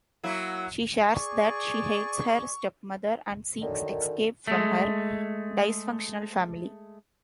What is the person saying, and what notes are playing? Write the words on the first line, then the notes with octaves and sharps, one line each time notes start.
She shares that she hates her stepmother and seeks escape from her dysfunctional family.
F#3 A#3 E4
G#4 D5 C#6
F#2 D3 D#3
G#3 A3